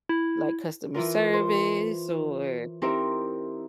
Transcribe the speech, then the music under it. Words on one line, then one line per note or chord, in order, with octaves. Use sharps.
like customer service or,
E4
E3 E4 F4 A#4
C5
C4 D#4 E4 G4 A#4 C5